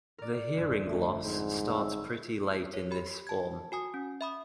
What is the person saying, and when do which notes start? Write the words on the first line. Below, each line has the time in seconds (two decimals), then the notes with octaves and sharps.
The hearing loss starts pretty late in this form.
0.18 A#4 D5
0.57 G1 F2
0.87 A3
1.24 G#2 C4
1.74 E6
2.74 C#5
2.91 G4 B5
3.27 A5 G#6
3.72 F#4 G#5 D#6
3.94 C#4
4.21 E5 B5 D#6